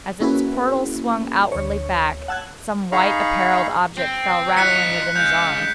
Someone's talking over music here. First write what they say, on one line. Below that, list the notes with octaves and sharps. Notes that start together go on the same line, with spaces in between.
As its portals swung outwardly back, some white-apparelled object fell rattling within his arms.
A#3 C#4 E4 F#4 G#4 B4
D2 C#5
F#5 A5 E6 F#6 G#6
D#4 G#4 F5 A#5 B5 C#6
C4
D#4 F4 F#6 B6 C#7
G#3 F5 G6